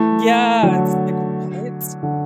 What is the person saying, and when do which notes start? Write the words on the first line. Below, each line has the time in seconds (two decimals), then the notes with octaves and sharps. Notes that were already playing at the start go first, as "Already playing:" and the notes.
Yeah, it's like, "What?"
Already playing: E3 A3
0.63 D3 F#3
2.03 D3